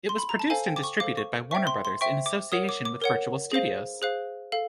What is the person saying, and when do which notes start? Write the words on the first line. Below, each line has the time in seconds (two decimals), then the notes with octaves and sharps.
It was produced and distributed by Warner Brothers in association with Virtual Studios.
0.09 C6
0.18 B5
0.29 A#5
0.39 A5
0.50 A4 C5 F5 G#5
0.66 G5
0.76 D6
0.84 C#6
1.00 A4 C5 F5 D6
1.17 C#6
1.51 C5 E5 G5 C#6
1.67 C6
1.85 C6
2.01 C5 E5 G5 C#6
2.26 D6
2.52 A#4 C#5 F#5 D#6
2.69 D6
2.85 D6
3.02 A#4 C#5 F#5
3.52 G#4 C5 F5
4.02 G#4 C5 F5 F#6
4.52 A4 F5